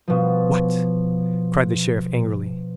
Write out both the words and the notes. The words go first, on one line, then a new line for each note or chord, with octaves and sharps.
"What?" cried the Sheriff angrily.
B2 F3